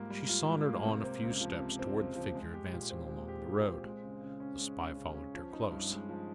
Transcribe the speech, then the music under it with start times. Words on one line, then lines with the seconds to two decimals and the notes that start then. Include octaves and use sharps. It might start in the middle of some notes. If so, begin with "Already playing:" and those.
She sauntered on a few steps toward the figure advancing along the road. The spy followed her close.
Already playing: G#2 G3 A#3 F4
0.10 G3
0.29 F4
0.47 G#2
0.66 A#3
0.85 C3
1.04 C4
1.23 C#2
1.41 F3
1.59 C3
1.79 C4
1.97 C#2
2.16 F3
2.35 G#3
2.54 G4
2.72 A#2
2.90 C4
3.09 G#3
3.28 G4
3.47 A#2
3.65 C4
3.84 G#3
4.03 C#3
4.22 C#3
4.40 C#4
4.58 G#3
4.78 C#3
4.96 C#3
5.15 C#4
5.34 F3
5.52 D#4
5.71 G2
5.90 G#3
6.09 F3